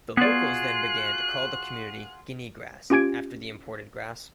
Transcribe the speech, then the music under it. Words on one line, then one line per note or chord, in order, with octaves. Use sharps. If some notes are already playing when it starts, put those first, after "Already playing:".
The locals then began to call the community Guinea Grass after the imported grass.
B3 F4 F#4 G#4 D5 F#6
C#4 F4 G4 G#5 G#6 D7